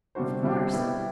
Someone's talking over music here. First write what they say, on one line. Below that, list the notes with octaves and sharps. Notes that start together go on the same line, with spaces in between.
Of course.
C3 G3 D4 F#4 C5
C3 G3 D4 F#4 C5
B2 G3 B3 E4 G4